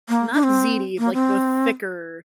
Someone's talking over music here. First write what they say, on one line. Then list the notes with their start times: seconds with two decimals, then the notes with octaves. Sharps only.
not ziti, like, the thicker,
0.09 A#3
0.34 D4
0.43 C4
0.99 A#3
1.14 C4